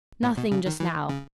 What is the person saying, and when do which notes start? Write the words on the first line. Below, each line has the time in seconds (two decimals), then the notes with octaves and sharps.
'Nothing just now.
0.23 A2
0.37 B2
0.52 C#3
0.66 D#3
0.80 E3
1.09 C#3